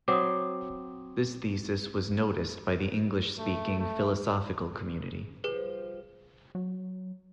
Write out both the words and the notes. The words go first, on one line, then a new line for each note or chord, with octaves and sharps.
This thesis was noticed by the English-speaking philosophical community.
F#3 C4 D6 D#6
A3
A3
C#3
F3 G3 G#4 B4
F#3